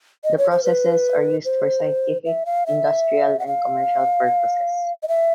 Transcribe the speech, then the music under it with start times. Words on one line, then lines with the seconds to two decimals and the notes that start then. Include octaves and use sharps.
The processes are used for scientific, industrial and commercial purposes.
0.24 D#5
0.38 C#5
0.51 C5
0.64 B4
1.45 C5
2.26 E5
2.46 F5
2.66 E5
3.40 F#5
3.47 F5
5.03 D#5
5.08 E5